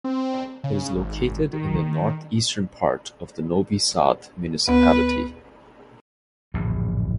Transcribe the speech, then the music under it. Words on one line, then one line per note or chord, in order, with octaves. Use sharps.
It is located in the north-eastern part of the Novi Sad municipality.
C4
C#3
G#1
D#3
D2 B3 B4
D1 A#1 F#2 E3